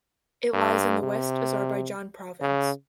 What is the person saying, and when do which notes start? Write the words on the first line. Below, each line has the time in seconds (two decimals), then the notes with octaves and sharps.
It lies in the West Azarbaijan province.
0.53 G2
1.03 C3
2.41 C#3